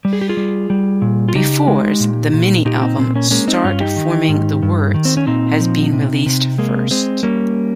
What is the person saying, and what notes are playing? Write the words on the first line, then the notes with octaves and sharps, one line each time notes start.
Befores, the Mini Album "Start Forming The Words" has been released first.
G3
G#4
G4
F4 G#4
G3
G3
A#2
F4
C#3 D#4 G4
G#3
A#2
A#2
A#2 D#4 G4
C4 D#4
A#2 C4
A#3 C#4
G#3 A#3 C#4
C4 D#4
G2 C#4 F4
D#4 G4
D#3
G#2
G2
D#3
C4
C#4
A#2 C4 D#4
F3
C3
C3
G#3 A#3
G#3 C4
G3 A#3 C#4